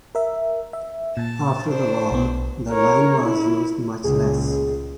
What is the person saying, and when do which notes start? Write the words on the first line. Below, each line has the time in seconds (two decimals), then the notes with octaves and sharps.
After the war, the line was used much less.
0.15 A#4 E5
0.73 E5
1.17 A#2 A5
1.67 D4 C5
2.11 B1 B3
2.71 A#4 C#5
3.22 E4
4.04 C#2 A#2 G#4